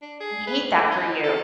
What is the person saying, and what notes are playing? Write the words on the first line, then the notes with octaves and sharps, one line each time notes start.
I hate that for you.
D4
G#4
B4
A3
D#4
A4